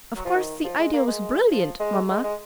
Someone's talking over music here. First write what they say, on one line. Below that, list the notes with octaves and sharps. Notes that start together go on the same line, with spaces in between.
Of course the idea was brilliant, mamma.
F#3
F3
D#3
F3
G#3
A#3
G#3
F3
G#3
G#3
G#3